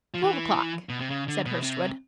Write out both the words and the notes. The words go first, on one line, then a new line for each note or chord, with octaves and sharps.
"Twelve o'clock," said Hurstwood.
F3
E3
B2
C3
C#3
D3
B2
C3